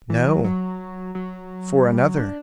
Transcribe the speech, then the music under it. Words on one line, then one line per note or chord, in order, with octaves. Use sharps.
"No; for another."
E3
F#3
F#3
F#3
G3
F#3
D4